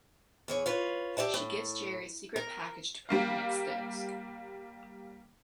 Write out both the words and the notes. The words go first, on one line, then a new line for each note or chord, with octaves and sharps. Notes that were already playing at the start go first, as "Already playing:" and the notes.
She gives Jerry a secret package to put in Nick's desk.
E2 G#4 C#5
F4 B4 C#5
G4 D5 E5 A5
A2
A#4
G3 A#3 F5